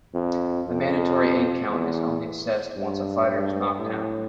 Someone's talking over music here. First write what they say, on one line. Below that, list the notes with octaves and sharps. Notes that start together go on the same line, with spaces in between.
A mandatory eight count is only assessed once a fighter is knocked down.
F2
F2
E2
G2
G2
A2